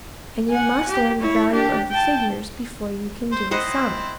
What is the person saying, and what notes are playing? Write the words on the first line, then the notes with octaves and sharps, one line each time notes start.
And you must learn the value of the figures before you can do a sum.
F#5 G#5
G4
E4 C#5
D4 G4
G5 A5
C5
C4 E4 C5 D#5 F#5